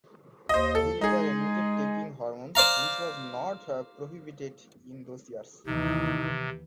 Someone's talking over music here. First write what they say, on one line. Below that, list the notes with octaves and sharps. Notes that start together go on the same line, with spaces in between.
He later admitted taking hormones, which was not prohibited in those years.
D#2 C5 D#5
A4
G#3 D#4 G#4
C5 D5 F5 A#5
D#2 C3 E3 D#4